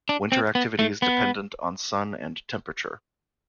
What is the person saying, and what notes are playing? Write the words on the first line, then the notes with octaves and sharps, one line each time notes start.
Winter activity is dependent on sun and temperature.
D4
C4
B3
A3
B3